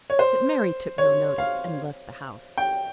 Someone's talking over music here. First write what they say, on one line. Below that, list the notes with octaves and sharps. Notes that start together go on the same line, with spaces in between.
But Mary took no notice, and left the house.
C#5
C5
C#5
F5
G5